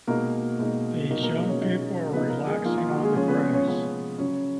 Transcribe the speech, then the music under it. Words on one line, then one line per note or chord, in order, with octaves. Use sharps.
These young people are relaxing on the grass.
B2 G#3 A#3 D#4 A#4
B2 G#3 D#4
B2 F#3 A#3 D#4 A#4
A#3 A#4
G#3 G#4
C#4 C#5
B2 F#3 A#3 D#4
F3 A#3 B3 D#4 B4
A#3 A#4
G#3 G#4
F3 A#3 D#4 F4
F4
F#4
G#3 G#4
F3 G#3 C#4 G#4
B3 B4
B3 B4
C#4 C#5
F3 G#3 B3 C#4 B4
C#3 F#3 C#4 C#5